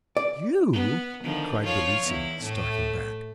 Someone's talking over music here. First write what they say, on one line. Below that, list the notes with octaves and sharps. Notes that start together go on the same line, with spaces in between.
"You!" cried Bellissima, starting back.
D5
B3
D3 D#3 F3
F3 F4 C#5
E2 E4
A2 A3